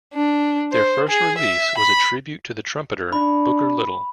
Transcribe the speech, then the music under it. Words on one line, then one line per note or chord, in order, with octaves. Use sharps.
Their first release was a tribute to the trumpeter Booker Little.
D4
C5
G#4
E5
B5
D4 B5